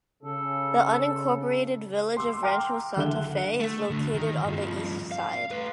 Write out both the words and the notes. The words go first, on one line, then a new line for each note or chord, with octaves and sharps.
The unincorporated village of Rancho Santa Fe is located on the east side.
C#3 A4
C6 D6 E6
G5 A#5 C6 D6 F6
F#1 D3 E5 F#5 F#6 G7
A3
D2 D3
D#3
G2 F3
F5
A3 B4